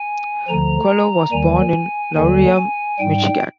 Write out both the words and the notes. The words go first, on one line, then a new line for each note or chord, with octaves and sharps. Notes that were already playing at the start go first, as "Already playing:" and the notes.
Quello was born in Laurium, Michigan.
Already playing: G#5
D2 D3 F3 A#5
D#2 D#3 G3 G#5
D#2 D3 G3 G#5
G#5
G#2 G3 G5